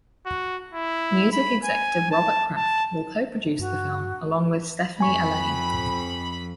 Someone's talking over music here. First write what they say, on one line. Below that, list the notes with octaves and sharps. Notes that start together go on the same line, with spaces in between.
Music executive Robert Kraft will co-produce the film along with Stephanie Allain.
F#4
E4
B5
G#5
A5
A5
G2 F#4
F2 G#5 B5 C#6